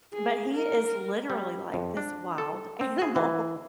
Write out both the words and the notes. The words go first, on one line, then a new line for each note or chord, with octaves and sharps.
but he is literally like this wild animal.
G#4
A#4
G3
F2
D4
A4
C4
G#4
E3